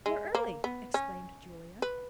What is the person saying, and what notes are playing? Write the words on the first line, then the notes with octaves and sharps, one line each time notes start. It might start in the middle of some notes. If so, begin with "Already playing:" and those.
"We're early!" exclaimed Julia.
G#3
A#3
B3
C#4
B4